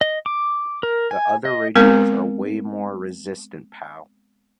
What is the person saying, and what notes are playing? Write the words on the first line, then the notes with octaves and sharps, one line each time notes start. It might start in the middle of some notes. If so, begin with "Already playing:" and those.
The other radios are way more resistant, Pau!
D#5
D6
A#4
G#5
D#5
G#3 B3 C4 A#4